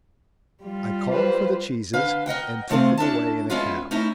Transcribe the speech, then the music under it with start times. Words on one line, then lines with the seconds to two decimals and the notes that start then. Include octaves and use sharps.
I called for the cheeses, and took them away in a cab.
0.63 G3 F4
1.11 B4 C5
1.93 D3 B4 F5
2.26 A#4 D#5 F#5 G5
2.70 C3 A3 C4 F4 G#4
2.98 C#4 D4 E4 A5
3.50 G#3 B3 C#4 E4 F4 B4
3.91 A3 C#4 D#4 E4